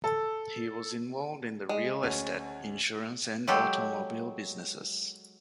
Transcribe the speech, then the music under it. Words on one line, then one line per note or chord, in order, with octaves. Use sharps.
He was involved in the real estate, insurance and automobile businesses.
A4
G#3
D2 C#4 G#5
F#3 G#3 G4 A4